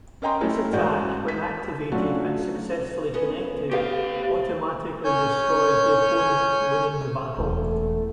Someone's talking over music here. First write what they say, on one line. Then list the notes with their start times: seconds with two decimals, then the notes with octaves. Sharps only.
This attack, when activated and successfully connected, automatically destroys the opponent, winning the battle.
0.22 C#4 A#4 D#5 G5 A#5 C6
0.41 A3 C#4 E4 A#4
0.73 A1 G#3 F#4 D5 G6
1.28 B6
1.92 F#3 A3 C#4 D4 F4 F#4
3.14 B3 C#4
3.71 B3 C4 G4 F5
5.04 C#4 C#5 G#5 G6
7.38 E1 E2 A3